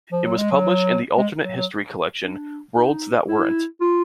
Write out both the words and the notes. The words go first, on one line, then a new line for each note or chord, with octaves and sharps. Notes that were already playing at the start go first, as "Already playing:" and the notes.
It was published in the alternate history collection "Worlds That Weren't".
F3
F#3
G#3
F#3
G#3
F#3
F#3
D4
D#4
E4
F4